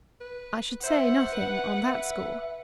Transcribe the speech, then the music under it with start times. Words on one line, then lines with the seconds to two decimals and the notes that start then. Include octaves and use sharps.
"I should say nothing,--on that score."
0.21 B4
0.84 C5 E5 F#5
1.32 B4
1.78 E5